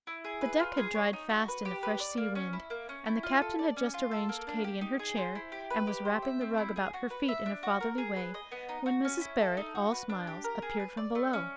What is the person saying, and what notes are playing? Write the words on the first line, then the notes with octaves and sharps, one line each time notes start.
The deck had dried fast in the fresh sea-wind, and the Captain had just arranged Katy in her chair, and was wrapping the rug about her feet in a fatherly way, when Mrs. Barrett, all smiles, appeared from below.
E4
G#4
B4
F4
G#4
C#5
D#4
F#4
B4
G4
B4
D5
A#3
C#4
E4
A#3
C#4
E4
F4
A4
D5
C#4
F4
A4
A#3
D4
G4
D#4
G#4
C5
E4
G4
B4
G4
C5
E5
C4
E4
G#4
F#4
B4
E5
D4
F#4
A#4
G#4
B4
D#5
B3
D#4
F#4
C#4
E4
A4
D#4
F#4
B4
D4
G4
A#4
G#4
B4
D5
A3
C#4